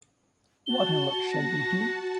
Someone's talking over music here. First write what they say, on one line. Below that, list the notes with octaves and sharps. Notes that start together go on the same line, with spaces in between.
Whatever shall we do?
F#4 A5 G7
A#6